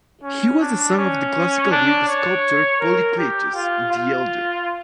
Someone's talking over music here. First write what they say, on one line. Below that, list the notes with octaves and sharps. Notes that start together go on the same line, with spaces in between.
He was the son of the Classical Greek sculptor Polykleitos, the Elder.
C#4
D4
C#4
D4
C#5
A#4
G4
F4
F4